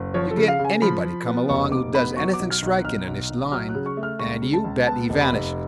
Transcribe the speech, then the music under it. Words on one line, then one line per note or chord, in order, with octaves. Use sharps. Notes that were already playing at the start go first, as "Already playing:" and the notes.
You get anybody come along who does anything striking in this line, and, you bet, he vanishes.
Already playing: F#1
F3 C#5
A4
C#3
F5
C#3
G#5
F3 B5
F3
B3
F1 C#6
F1 D6
B3 B5
F#3 C#6
D6
B1
F6
B1
F#6
B1 F6
B1
B1
F#3 F6
F#6
C#3
C#6
A3
F6
C#2 C#6
C#3
A5
C#2
B3 A5
F1
B5
F1